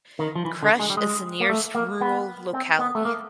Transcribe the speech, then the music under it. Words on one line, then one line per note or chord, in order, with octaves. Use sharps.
Krush is the nearest rural locality.
D#3
F3
E3
D3
G#3
G3
G#3
A#3
A3
A#3
B3
C4
B3
A3
A#3